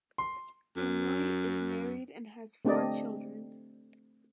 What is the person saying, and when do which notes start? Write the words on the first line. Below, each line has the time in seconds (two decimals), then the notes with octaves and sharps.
Inouye is married and has four children.
0.18 C6
0.76 F#2
2.65 A3 C4 D4 G4 D5 D#5